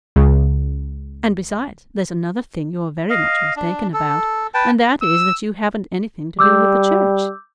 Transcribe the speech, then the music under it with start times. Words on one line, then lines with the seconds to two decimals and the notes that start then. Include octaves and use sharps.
And, besides, there's another thing you're very much mistaken about, and that is that you haven't anything to do with the church.
0.16 C#2 C#3
3.10 D#5 F5
3.57 D4
3.93 A4
4.54 B4 G5 A5
5.02 E6
6.39 G3 D6 E6 G6